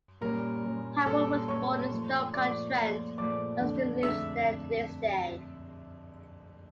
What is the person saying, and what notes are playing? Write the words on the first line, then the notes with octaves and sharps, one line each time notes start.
Harold was born in Stoke-on-Trent and still lives there to this day.
A#2 G3 C#4 A#4 A#5
A#2 G3 C#4
A#2 G3 C#4 A4 A5
A#2 G3 C#4 C#5 C#6
A#2 F3 A3
A#2 F3 A3 D5 D6
A#2 F3 A3
A#2 F3 A3 D5 D6
F2 D3 A3 D4
F2 D3 A3 D4 E5 E6